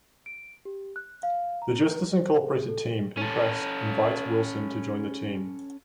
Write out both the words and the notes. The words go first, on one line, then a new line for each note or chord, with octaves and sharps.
The Justice Incorporated team, impressed, invites Wilson to join the team.
D7
G4
F#6
F5
A#5
C5
A4
C#4 A4